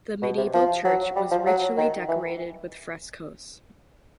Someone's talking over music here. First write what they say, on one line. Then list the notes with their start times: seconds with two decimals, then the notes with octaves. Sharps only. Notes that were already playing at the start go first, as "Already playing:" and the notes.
The medieval church was richly decorated with frescos.
0.22 B2
0.37 C3
0.54 F3
0.84 F#3
1.16 G3
1.31 F3
1.46 F#3
1.77 D#3
2.09 E3